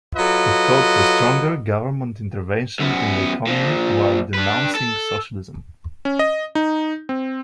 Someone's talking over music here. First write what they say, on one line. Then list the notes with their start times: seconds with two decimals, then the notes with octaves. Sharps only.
It called for stronger government intervention in the economy, while denouncing socialism.
0.16 F#3 F4 A4 B4 D#5
2.79 F#2 B3
3.47 A#2 F3
4.34 D4 B4
4.75 A4
6.05 C#4
6.19 D#5
6.55 D#4
7.09 C4